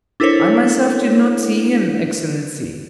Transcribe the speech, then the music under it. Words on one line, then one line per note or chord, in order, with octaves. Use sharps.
I myself did not see him, Excellency.
D4 E4 A4 A#4 C5 C#5